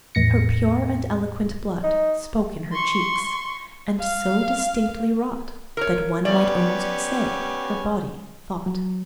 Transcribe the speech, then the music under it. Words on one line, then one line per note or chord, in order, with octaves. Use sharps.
"Her pure and eloquent blood Spoke in her cheeks, and so distinctly wrought, That one might almost say her body thought."
E2 A2 A#6 C#7
D#4
C6 C#6
F5
A#4 C#5
B3 C#4 G4 D5
F#3